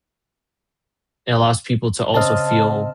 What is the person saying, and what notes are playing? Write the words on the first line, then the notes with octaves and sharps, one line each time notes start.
it allows people to also feel
C#3 C4 D#5 A5 F6